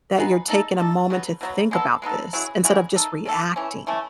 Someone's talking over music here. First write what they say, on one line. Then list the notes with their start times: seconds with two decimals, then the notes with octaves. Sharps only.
that you're taking a moment to think about this instead of just reacting.
0.18 B3 D#4 G#4 B4
0.48 A3 D#4 A4
0.79 A3 D#4 A4
1.10 B2 F#3 B3
1.41 B2 F#3 B3
1.71 G#3 B3 D#4 A4
2.02 G#3 B3 D#4 A4
2.33 F#3 C#4 E4 G#4
2.64 F#3 C#4 E4 G#4
2.95 D#3 A3 D#4 A4
3.25 D#3 A3 D#4 A4
3.56 E3 A3 C#4
3.87 E3 A3 C#4